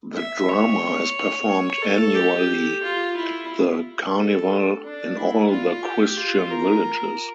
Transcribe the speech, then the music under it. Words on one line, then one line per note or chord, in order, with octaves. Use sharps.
The drama is performed annually at the Carnival in all the Christian villages.
E5
C#5
C#5
A4
G4
F4
E4
A4
D4
E4
F4
G4
F4
A#4